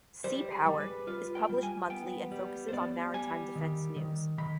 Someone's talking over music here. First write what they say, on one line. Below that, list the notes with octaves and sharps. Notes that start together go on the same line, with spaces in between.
"Seapower" is published monthly and focuses on maritime defense news.
G3 C5
G#4
G3
B4
F4 B4
G5
G3
G#5
B3 G5
G3
C5
B3 D5
G3 G#5
D#3
D#3
D#3 B5